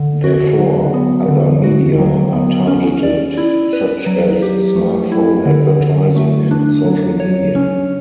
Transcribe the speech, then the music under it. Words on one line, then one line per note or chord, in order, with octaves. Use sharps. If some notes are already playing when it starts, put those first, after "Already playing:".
Therefore, other media are targeted, such as smartphone advertising and social media.
Already playing: D3
F#4
F#3
B3
D3
F#4
F#3
B3
C#4
D5
E4
B4
F#3
G4
A3
E4
D3
D3
A3
D4
F#3
C#5
C#4